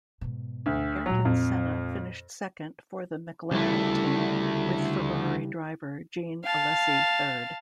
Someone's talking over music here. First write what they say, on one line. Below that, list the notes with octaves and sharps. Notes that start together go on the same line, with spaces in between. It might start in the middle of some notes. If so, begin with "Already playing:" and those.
Ayrton Senna finished second for the McLaren team with Ferrari driver Jean Alesi third.
G#2 B2
D2
A#2 F#3 G#3
F2
D2 C#3 G3 A3 E4
F5 A5